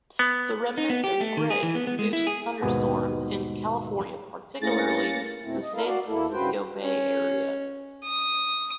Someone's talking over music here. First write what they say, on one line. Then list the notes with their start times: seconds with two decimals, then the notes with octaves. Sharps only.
The remnants of Greg produced thunderstorms in California, particularly the San Francisco Bay Area.
0.19 B3
0.78 D#4
0.90 B3
1.04 G4
1.21 A3
1.37 D#3
1.50 G#4
1.63 E3
1.75 B3
1.87 B3
1.99 G#3
2.13 E4
2.27 G#4
2.62 D#2 G#2 B2 B3 G#5
4.61 A2 A#3 C#4 G#4 A6 A#6 C#7
5.44 F2 B2 A3 C4 E4
5.62 D#5
5.74 E4 A4 A#4 F5
5.86 F#4 D5 F5
6.08 E2 A#3 E4 A4
6.31 G2 C#3 F#4 B4 C5 G5
6.82 C#4
8.04 D#6